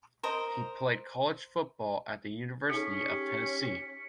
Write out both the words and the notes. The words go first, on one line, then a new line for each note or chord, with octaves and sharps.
He played college football at the University of Tennessee.
A#4 C5 D#5 A#5
C#4 D#4 G#4 A4 B6 C#7
G4